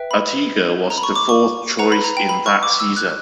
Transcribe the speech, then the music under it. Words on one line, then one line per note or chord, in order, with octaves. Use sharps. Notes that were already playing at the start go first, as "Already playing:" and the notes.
Arteaga was the fourth choice in that season.
Already playing: B4 E5 G5
B5
A#5
B5
C#6
D6
C#6
B4 F#5 A#5
B5
A#5
G5
B5
C#6
D6
E6
F#6